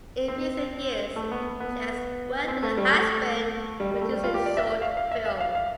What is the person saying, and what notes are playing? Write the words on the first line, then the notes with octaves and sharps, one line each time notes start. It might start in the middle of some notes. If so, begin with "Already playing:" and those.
In recent years, she has worked with her husband producing short films.
C4
A3
B3
B3
C4
A3
G3
A3
G3
G3
A3
G3
F4
G4
D5
E5
E5
F5
F5
E5
E5
F5
F5